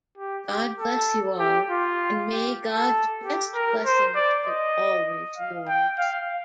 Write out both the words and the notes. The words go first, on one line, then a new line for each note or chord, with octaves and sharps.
God bless you all and may God's best blessings be always yours.
G4
G4
A4
G4
F4
G4
A4
G4
A#4
C5
D5
D#5
F5
G5
F5